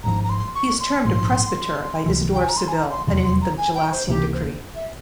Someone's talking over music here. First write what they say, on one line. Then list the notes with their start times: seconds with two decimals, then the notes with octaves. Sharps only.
He is termed a presbyter by Isidore of Seville and in the Gelasian decree.
0.04 G#1 G#2 F3 A#5
0.24 A#5
0.29 C6
0.55 C#6
0.80 C6
1.05 A#1 G#2 F3 C6
2.06 C#2 C3 E3
2.33 G5
2.41 G#5
2.49 A#5
2.57 C6
2.68 G#5
2.74 A#5
2.91 C6
3.07 F1 E2 C3 F3 C6
3.24 C6
3.41 A#5
3.58 G#5
3.75 G5
3.92 C5
4.08 C#2 C3 E3 A#3 G4
4.34 C5
4.75 E5